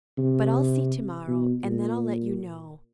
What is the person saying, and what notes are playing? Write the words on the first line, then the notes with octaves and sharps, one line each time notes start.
But I'll see to-morrow, and then I'll let you know.
C3
B2
A#2